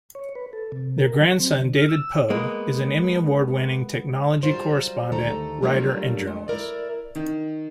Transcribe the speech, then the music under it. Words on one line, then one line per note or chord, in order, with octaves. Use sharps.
Their grandson David Pogue, is an Emmy award-winning technology correspondent, writer and journalist.
C#5
B4
A4
C3
A#4
F#3
C4
D3
F6
E6
G#3 A#3 B3
F#3 G3 F4 C5
D2 D#3 A3 A4 A#5
F#3 G3 A3 A#3 D4 F4
G#3
E4 A#4 D5
D#3